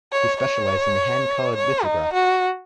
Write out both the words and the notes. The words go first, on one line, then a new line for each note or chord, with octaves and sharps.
He specialized in hand-colored lithographs.
C#5
C#5
C#5
D#4
F#4